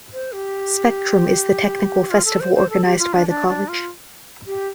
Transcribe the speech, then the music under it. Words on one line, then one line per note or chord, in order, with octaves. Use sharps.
Spectrum is the technical festival organized by the college.
C5
G4
F4
A4
C5
C5
A4
G4
F4
D4
D4
D4
F4
G4